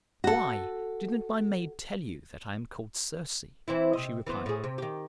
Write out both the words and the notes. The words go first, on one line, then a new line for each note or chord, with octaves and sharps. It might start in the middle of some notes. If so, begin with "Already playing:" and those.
"Why, didn't my maid tell you that I am called Circe?" she replied.
F#4 A4
E3 C4 E4
C3 D#5
E3 B3 C5
A2 G#4
C3
D#3 G4